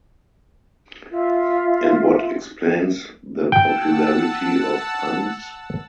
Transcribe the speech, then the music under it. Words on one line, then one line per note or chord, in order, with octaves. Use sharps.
And what explains the popularity of puns?
F4 E5
F#5 G5 A5 E6